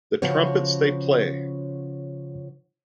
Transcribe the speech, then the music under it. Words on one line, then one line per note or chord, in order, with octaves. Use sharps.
The Trumpets They Play!
C#3 F3 F#4 C#5